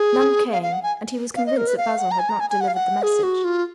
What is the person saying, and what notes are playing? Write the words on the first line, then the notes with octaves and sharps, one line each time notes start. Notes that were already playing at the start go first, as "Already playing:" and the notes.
None came, and he was convinced that Basil had not delivered the message.
Already playing: G#4
F5
F5
F#5
G#5
F5
D#5
A#4
B4
F5
F#5
A#5
G#5
A#5
G#5
G#5
F#5
F5
F#5
G#4
F#4
F4